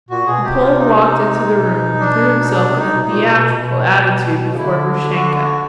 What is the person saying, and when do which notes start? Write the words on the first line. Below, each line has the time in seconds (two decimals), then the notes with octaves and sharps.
The Pole walked into the room and threw himself in a theatrical attitude before Grushenka.
0.09 A#2 F#4
0.26 B2 G#4
0.43 C3 G4
0.60 F4
0.78 D#4
0.96 D#4
1.47 B2
2.00 D4
2.40 D#4
2.51 B2 D4
2.68 C3
2.77 D#4
2.95 B2
3.03 A#2 D#4
3.29 B2
3.54 B2
4.54 C#3
4.58 D3 E4
5.10 F#4
5.36 F#4